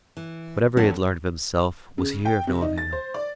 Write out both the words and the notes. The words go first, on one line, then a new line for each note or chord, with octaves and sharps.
Whatever he had learned of himself was here of no avail.
E3
E2 C4 C#4 E4 A4 F#5
C#3
G5
C3
D#4
A6
C5
D5